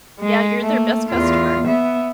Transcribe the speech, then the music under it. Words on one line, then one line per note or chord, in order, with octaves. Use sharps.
Yeah, you're their best customer.
G#3
A3 A#3
E2 F4
B3 E5